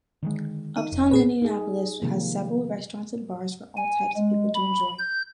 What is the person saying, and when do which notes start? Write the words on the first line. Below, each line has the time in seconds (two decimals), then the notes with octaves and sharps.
Uptown Minneapolis has several restaurants and bars for all types of people to enjoy.
0.23 D3 D#3 G#3
0.77 D#4
0.92 F1
1.11 A#1 A#2 C4 G#4 B4
1.42 D#4 G#4
2.02 C3 D#3 F3 G#3 A#3
3.77 G#5
4.16 G#3
4.55 B5
4.98 G6